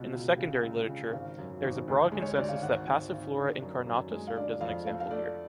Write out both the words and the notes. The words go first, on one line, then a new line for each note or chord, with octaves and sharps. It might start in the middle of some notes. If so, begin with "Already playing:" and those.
In the secondary literature, there is a broad consensus that "Passiflora incarnata" served as an example here.
Already playing: C#2 B2
C#2
C#3
C#2
C#3
G#1 F5
F#2
G#1
D2
G#3
C#5
D2 D5
F5
G#1 F#5
G#1
G#1
D3
F#2
F#2
G#3
F5
D3 D5
F2 F5
A3 F5
F5
A3 D5